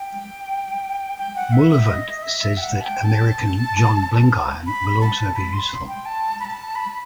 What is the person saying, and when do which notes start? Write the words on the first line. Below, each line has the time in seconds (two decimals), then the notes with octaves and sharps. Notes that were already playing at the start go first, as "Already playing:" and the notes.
Bullivant says that American John Blenkiron will also be useful.
Already playing: G5
1.18 G5
1.36 F#5
1.53 E5
1.70 E5
1.88 D#5
2.22 E5
2.57 G5
2.61 F#5
2.80 A5
2.85 G5
3.04 A5
4.66 B5
5.01 A5
5.35 B5
5.53 C6
5.88 G5
6.05 A5
6.40 B5
6.45 A5
6.75 B5